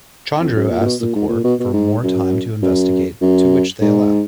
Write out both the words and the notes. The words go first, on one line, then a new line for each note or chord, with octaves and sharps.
Chandru asks the court for more time to investigate to which they allow.
F2
F#2
A#2
A#2
B2
A#2
G#2
A#2
B2
B2
G#2
F#2
F#2
F#2
G#2